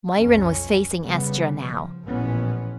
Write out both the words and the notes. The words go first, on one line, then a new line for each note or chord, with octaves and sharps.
Myrin was facing Estra now.
B1 F2 C#4
C#3 G3 B3
F3
A1 A#2 E3 F3 B3 C#4